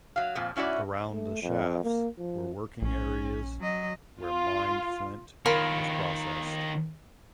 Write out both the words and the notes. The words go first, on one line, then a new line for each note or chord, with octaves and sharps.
Around the shafts were working areas where mined flint was processed.
F#3 F5
F2 A#2 F3
G#2 C#4 E4 F#4 D5
A3
F2
A#3
F3
A#1 C#4
F#3 D#5
F4
D#3 F4 A#4 C#5 B5